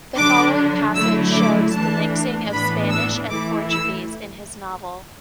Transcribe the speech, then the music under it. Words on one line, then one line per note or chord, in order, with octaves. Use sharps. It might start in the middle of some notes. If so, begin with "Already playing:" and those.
The following passage shows the mixing of Spanish and Portuguese in his novel.
D3 F#3 D4 D6
D3 F#3 A3 E4 E6
D6
E3 A3 D4 A5
A2 E3 B3 D4 B5
E6
E3 A3 E4 D6
E6